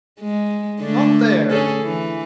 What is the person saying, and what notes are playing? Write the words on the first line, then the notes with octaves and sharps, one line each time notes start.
"Halt there!"
G#3
D3 A3 D4
C#4 G#4 A4
E3